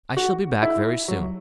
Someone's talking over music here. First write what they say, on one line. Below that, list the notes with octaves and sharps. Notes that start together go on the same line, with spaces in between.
I shall be back very soon.'
F#4
E4
F#3